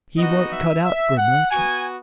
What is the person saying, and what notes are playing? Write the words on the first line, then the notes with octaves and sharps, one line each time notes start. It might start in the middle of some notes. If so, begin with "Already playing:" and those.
He weren't cut out for a merchant.
B3 D#4 F#4 D#5
E5
E5
F#5
B3 F#4 G#5